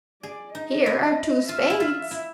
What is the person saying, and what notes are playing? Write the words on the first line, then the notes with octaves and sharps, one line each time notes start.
Here are two spades.
G#4 D5
D#4 D#5
E4
F4 E5
E4
F4
E4